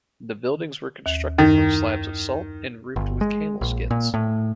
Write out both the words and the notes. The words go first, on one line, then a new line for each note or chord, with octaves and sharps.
The buildings were constructed from slabs of salt and roofed with camel skins.
D#2
F#2 D#3
G1
G#3
A#1
A#2
A2